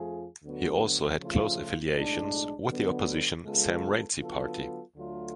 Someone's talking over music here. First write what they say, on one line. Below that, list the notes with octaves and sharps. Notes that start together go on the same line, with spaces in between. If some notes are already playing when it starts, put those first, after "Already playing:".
He also had close affiliations with the opposition Sam Rainsy Party.
Already playing: F2 F3 A3 F4 G#4
D2 D3 F#3 B3 F#4
C#3 F3 A3 F4
B1 A2 G#3 D4
D3 F#3 B3
C#3 G#3 B3 F4 A4
D3 F#3 B3 F4 A4
D2 D3 F#3 A3 F4